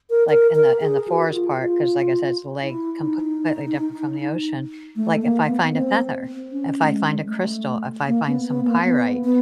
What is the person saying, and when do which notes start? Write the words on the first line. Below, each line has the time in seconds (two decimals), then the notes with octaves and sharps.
like, in the in the forest part 'cause, like I said, it's a lake, completely different from the ocean. Like, if I find a feather, if I find a crystal, if I find some pyrite,
0.10 A#4
0.29 A#4
0.55 A#4
0.81 G#4
1.08 F#4
1.33 F4
1.59 F4
2.63 E4
3.01 D#4
4.96 A3
5.22 A#3
5.48 B3
5.73 C4
6.52 C#4
6.82 A3
6.91 G#3
7.26 G#3
7.29 A3
8.07 A#3
8.26 B3
8.47 B3
8.65 A#3
8.85 B3
9.24 B3